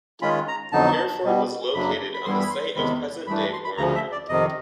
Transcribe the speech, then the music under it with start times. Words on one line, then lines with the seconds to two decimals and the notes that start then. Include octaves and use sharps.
Hereford was located on the site of present-day Warner.
0.22 D#3 G#3 C#4 F4 B5
0.48 A#5
0.72 F2 D3 F#3 B3 D#4 A5
1.23 B2 G3 B3
1.74 F#2 C#3 F#3 A#3 D4 B5
2.14 B5
2.25 G2 E3 G3 B3 E4 C6
2.39 B5
2.50 C6
2.76 E2 C3 D#3 G#3 B5
3.27 G2 E3 A3 D4 B5
3.39 B5
3.53 C6
3.65 B5
3.78 D2 C#3 F3 A#5
3.95 E5
4.12 D5
4.29 F2 C3 D#3 D#5